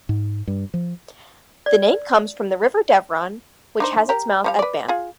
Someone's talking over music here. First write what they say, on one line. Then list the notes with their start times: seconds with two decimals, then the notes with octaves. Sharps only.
The name comes from the River Deveron, which has its mouth at Banff.
0.09 G#2
0.47 G2
0.74 F3
1.66 D5
3.80 D4 D#4 C5
4.09 G4 A#4
4.44 F3 G3 F5
4.59 B4 D5
4.88 F4 G#4